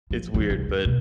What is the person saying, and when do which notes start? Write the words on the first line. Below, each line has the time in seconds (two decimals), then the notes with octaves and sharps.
It's weird, but,
0.11 F3
0.34 E3 G3
0.50 C2 D4
0.68 D#2
0.85 B2